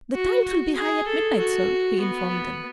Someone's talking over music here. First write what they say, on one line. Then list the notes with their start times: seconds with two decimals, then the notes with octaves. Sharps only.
"The tide will be high at midnight, sir," he informed them.
0.14 F#4
0.44 F#4
0.75 G#4
1.07 A4
1.38 F#4
2.00 B3